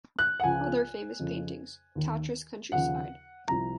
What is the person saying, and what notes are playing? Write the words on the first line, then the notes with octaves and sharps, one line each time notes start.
Other famous paintings: Tatras countryside.
F#6
F#5
C#2 C#3 F3 G#5
F2 C#3 F3
D#2 D#3
D#2 C#3 F3 F#5
C2 C3 F3 A#5